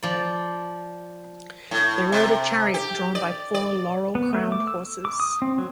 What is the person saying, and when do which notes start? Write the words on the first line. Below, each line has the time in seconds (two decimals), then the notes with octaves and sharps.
They rode a chariot drawn by four laurel-crowned horses.
0.03 F3 D5
1.71 A2
2.12 C3
2.74 G4
3.15 D5
3.54 D5
4.15 B3
4.33 A3
4.52 D6
4.67 E6
5.05 D6
5.20 D#6
5.42 C4
5.58 F#3